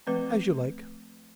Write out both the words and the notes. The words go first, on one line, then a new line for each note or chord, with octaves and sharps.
'As you like....
F3 A3 C4 B4